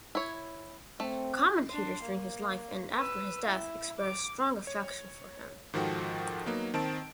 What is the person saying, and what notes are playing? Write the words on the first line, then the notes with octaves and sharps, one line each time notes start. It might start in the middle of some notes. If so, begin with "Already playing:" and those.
Commentators during his life and after his death expressed strong affection for him.
E4 C#5
A3 C4
D4 C6
A#3
B4 E6
E4
D6
C#5
G#2 D#3 F3 F#4 A4 G5
F#3 A#3 B3 D#4
D#3 C4 A5 D7